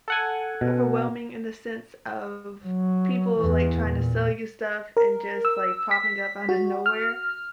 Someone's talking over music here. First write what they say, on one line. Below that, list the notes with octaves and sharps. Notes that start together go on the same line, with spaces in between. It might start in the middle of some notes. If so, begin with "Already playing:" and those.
overwhelming in the sense of people, like, trying to sell you stuff and just, like, popping up out of nowhere,
A4 F#5 G#5
B2
F#3
E2 E3
A#2
A#4
E6
B6
F#4
F6